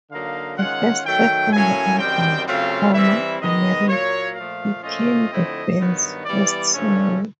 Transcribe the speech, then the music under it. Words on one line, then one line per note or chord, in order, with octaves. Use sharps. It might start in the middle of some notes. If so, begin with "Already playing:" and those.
The first track on the album, "Coma America," became the band's first single.
D3 F#3 A#3 D#4 F5
D#3 G#3 C#4 F4 F#5
D#3 F#3 A3 G5
A2 F#3 A#3 C#4 G#5
F#2 D#3 G3 C4 G5
C#3 F#3 A3 C4 F4 F5
E3 G3 C4 E4 E5
D#3 G#3 B3 D#5
A#2 F#3 A#3 C#5
A#2 F3 A3 F5
A#2 F3 A3 C#4 F4 D#5
D3 F3 A3 C4 E4
G2 D#3 F#3 B3
E3 G3 B3 D5
G2 D3 F3 A3 C#4 C#5